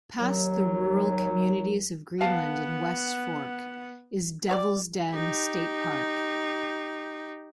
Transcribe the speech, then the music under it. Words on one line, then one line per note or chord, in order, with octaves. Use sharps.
Past the rural communities of Greenland and West Fork is Devil's Den State Park.
D#2 F#3
B3 F5 F#5 A5
G3 C#5 D5
D#4 G4